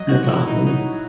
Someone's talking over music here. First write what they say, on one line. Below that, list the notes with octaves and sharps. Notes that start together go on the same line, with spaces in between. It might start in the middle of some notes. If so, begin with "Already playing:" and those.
That's awesome.
Already playing: F#3 D#5
F#4
A#2
E4
A#2
D#4
F#3 D#4
F#3